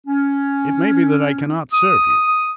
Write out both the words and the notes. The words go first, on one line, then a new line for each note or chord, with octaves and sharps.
It may be that I can not serve you.
C#4
D#6